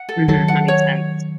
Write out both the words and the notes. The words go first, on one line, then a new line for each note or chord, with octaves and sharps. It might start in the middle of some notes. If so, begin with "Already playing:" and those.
Mhm, that makes sense.
Already playing: F#5
A4
D#3 F#3 A4
F#5
C#5